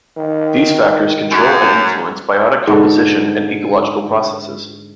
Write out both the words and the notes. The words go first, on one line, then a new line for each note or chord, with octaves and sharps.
These factors control and influence biotic composition and ecological processes.
D#3
F#2
G#2 D3